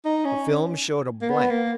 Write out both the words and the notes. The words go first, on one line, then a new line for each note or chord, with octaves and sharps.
The film showed a blank.
D#4
C#4
A#3
B3
A#3